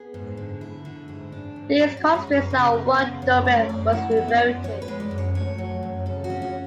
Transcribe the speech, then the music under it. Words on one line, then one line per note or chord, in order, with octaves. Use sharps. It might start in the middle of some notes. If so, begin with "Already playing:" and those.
These constraints are what Dummett was referring to.
Already playing: B3 G#4
G#2
D3
E4
D3
G#2 G#4
D4
G#2
C#4 D5
F#4
G#3
G#4
F#2
B4
C#3
B3
C#3
F#2 C#5
A3
F#2 D5
E4 F#5
E5
B3
D5
F#2
B3 C#5
B4
G#3
D5
F#2
C#5
A3 C#5
F#3
F#2
C#3 A4
F#4
C#4
F#4